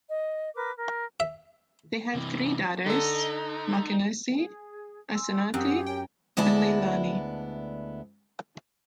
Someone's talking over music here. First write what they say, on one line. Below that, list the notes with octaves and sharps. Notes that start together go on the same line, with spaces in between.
They have three daughters - Makenesi, Asinate and Leilani.
D#5
A#4 B4 D6
A#4
E5
C3 E3
D3 D#4 A4
G#4
G#5 C6 E6
F#2 C4 F4 G4 G#4 F#5
A#4 C#5 G5 G#5
D2 G#3 B3 E4 D5 A5